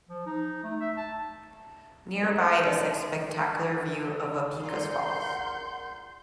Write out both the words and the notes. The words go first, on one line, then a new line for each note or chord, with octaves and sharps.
Nearby is a spectacular view of 'Opaeka'a Falls.
F3
D#4
A3
E5
A5
G3 D#4 F#4 A#4 D#5
A#4 C5
D4 B4 D5 D#5
E5
A#4
F4 G#4 A#4 D5 F#5 C6 G6